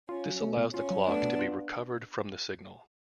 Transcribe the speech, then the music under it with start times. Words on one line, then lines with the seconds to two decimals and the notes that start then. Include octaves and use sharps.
This allows the clock to be recovered from the signal.
0.09 C#4 F4
0.26 F#3
0.42 A3
0.57 B2
0.74 C#4 F4
0.91 F#3
1.07 A3 B3 D4
1.23 B2
1.39 F4